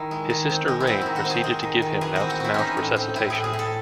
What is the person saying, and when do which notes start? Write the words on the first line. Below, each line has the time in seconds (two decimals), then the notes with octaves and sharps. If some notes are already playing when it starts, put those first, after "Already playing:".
His sister Rain proceeded to give him mouth-to-mouth resuscitation.
Already playing: D#3 E4
0.11 G#3
0.30 D#3
0.49 C4
0.68 G#3
0.80 E4
0.87 C4 F#4
1.01 D#3 E4
1.16 F#4
1.25 C4 G#4
1.44 G#3
1.63 D#3
1.82 D#3
2.01 E3 G#4
2.16 C4 F#4
2.30 F#4
2.40 C4 E4
2.54 E3 C#4 D#4
2.77 A2
2.96 C4
3.16 A2 E4
3.30 A2 G#4
3.44 G#4
3.53 A2
3.59 A4